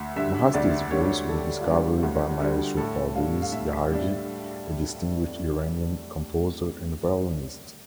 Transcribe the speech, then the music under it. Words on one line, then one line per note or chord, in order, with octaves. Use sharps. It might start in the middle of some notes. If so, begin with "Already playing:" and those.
Mahasti's voice was discovered by maestro Parviz Yahaghi, a distinguished Iranian composer and violinist.
Already playing: D2 E5
D3 G3 E5
D2 D5
D3 G3 C#5
D2 A4
G4
A4
F4
D3 G3 G4
D2
D3 G3
A2 A4
G3 D4 F5
F5
A2 E5
G3 D4